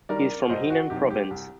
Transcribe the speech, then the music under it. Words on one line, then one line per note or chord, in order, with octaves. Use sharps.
He is from Henan province.
D#3 G3 A#4 D5
C2 C5 D#5
F#4
C3 D#3 F#3 G4
G4
C2